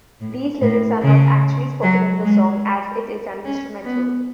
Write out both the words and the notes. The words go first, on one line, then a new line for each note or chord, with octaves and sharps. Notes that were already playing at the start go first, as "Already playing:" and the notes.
These lyrics are not actually spoken in the song, as it is an instrumental.
A2
A2
C#3
F#3
G#3
C#4
B3